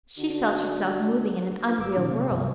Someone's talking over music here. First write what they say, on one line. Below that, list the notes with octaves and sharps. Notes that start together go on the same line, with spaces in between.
She felt herself moving in an unreal world.
D3 D4 F#4
D4 F4 B4 F5
G1 D6 E6
A#2 D#3 C#4 D#4 F4
C3 F3 F#3 A#3 B3
C#2 G2 C3 G3